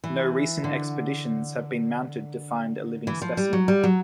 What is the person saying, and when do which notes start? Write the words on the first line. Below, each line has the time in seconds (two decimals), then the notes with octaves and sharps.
No recent expeditions have been mounted to find a living specimen.
0.04 E3
0.64 D3
3.07 E3
3.22 F3
3.37 G3
3.53 F#3
3.68 G3
3.84 F#3